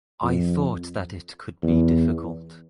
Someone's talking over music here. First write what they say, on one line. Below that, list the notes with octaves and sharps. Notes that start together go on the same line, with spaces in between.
I thought that it could be difficult.
F2
E2